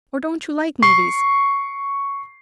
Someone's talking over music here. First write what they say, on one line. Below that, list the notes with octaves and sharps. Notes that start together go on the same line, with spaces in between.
Or don't you like movies?
C#6 C7